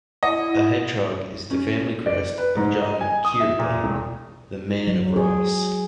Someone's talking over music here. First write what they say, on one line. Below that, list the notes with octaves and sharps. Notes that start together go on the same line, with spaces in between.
A hedgehog is the family crest of John Kyrle, the "Man of Ross".
E4 D#5 F#5
C#4
D5
B4
G#2
D#5
G#5
D#6
E5
A#2
E1
F#3
G#4